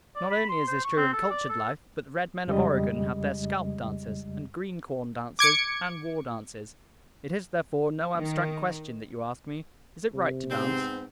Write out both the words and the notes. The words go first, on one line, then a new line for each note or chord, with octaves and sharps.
Not only is this true in cultured life, but the red men of Oregon have their scalp dances, and green-corn dances, and war dances. It is, therefore, no abstract question that you ask me--Is it right to dance?
D5
B5
C6
C5
C#6
C4
A4
D5
A4
F2 C#3 G3 G#3 D#5
D6 G#6 C#7
D#3
C3
G#2 B3 C4